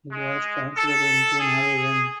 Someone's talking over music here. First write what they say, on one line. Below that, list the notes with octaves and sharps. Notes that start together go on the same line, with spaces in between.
It was translated into Norwegian.
G#3
A4
G#4